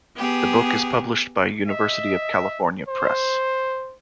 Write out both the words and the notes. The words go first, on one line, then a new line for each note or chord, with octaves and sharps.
The book is published by University of California Press.
B3 G4 G#4
D#5 E5
C5